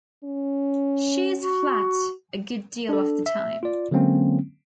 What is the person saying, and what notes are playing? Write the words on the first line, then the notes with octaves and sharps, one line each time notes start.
She is flat a good deal of the time.
C#4
F#4
D4 A4
E5
F4 D5
D3 F#3 G#3 A#3 C4 C#4